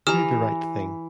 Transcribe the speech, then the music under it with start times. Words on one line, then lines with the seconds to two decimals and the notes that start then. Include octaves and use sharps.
Do the right thing.
0.07 E3 G4 A#5 D#6 F6